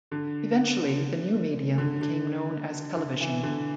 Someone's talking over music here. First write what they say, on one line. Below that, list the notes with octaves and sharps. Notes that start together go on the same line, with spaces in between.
Eventually, the new medium became known as television.
D3
D3
D3
D3
E3
D3